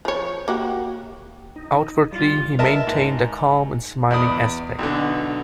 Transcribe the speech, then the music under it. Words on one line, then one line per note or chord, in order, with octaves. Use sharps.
Outwardly, he maintained a calm and smiling aspect.
F3 C#5
A#3 F#4 G4
D#4
G3 F4
A#4 D#5 E5 A5
G#2
E2 D5 B5 D#6
B1 B2 D3